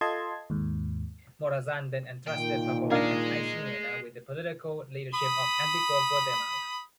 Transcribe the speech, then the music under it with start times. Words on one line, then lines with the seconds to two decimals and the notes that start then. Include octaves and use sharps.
Morazan then entrusted Pavon and Aycinena with the political leadership of Antigua Guatemala.
0.01 F4 A4 D#5 A5 C6 G#6
0.50 D#2 G#2
2.27 A#2 D#3 G5
2.90 D4 G#4 A#4 D#5 F5
5.14 B5 D#6